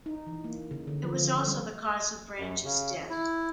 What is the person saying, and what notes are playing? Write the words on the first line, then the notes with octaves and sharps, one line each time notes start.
It was also the cause of Branch's death.
D#4
E3
A#3
C#3
D3
F3
D3
G3
F#2
C#3
E4